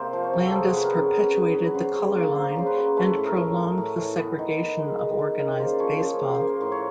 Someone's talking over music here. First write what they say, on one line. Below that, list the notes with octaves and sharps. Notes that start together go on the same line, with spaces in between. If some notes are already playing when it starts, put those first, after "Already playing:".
Landis perpetuated the color line and prolonged the segregation of organized baseball.
Already playing: C3 A#3 C5 D5
F3
C#5
C3
A4
F#3 G#4
B3 B4
A#4
C#3
B3 B4
F#3
F#3
B4
C#3 C5
F#3 C#5
A#3 D5
A#3 C5
C#3 C5
B4
F#3
A3 B4
A2
A#4
A2
A2
A2
E3
B3
D#3
B3
G#3
D#3
D#3
C#3 A#4
A#3 C5
D5
F3 C#5
C#3 C#5
A#3
C5
A#3
A2 C5
C#5